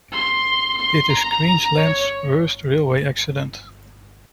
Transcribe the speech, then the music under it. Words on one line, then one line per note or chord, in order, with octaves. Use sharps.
It is Queensland's worst railway accident.
C6
C6
A#5
C#5